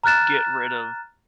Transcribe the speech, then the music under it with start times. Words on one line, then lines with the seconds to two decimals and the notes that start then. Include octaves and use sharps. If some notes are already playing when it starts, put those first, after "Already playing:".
get rid of
0.04 A#5 F6 F#6 A6 E7